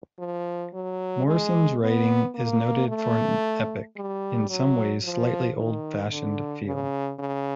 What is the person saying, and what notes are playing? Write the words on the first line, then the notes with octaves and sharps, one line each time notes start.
Morrison's writing is noted for an epic, in some ways slightly old-fashioned feel.
F3
F#3
G#3
B3
A#3
A3
G3
F#3
F3
D#3
D3
C#3
C#3